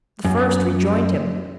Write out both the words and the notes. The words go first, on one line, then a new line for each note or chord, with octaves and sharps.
The first rejoined him.
F#2